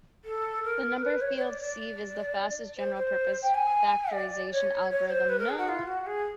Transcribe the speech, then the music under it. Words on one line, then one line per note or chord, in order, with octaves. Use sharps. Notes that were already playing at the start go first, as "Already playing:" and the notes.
The number field sieve is the fastest general-purpose factorization algorithm known.
A4
A#4
B4
C#5
C#5
D5
D5
C5
C5
G5
G#5
D5
C#5
C#5
C5
B4
A#4
G#4
F#4
F4
F#4
G#4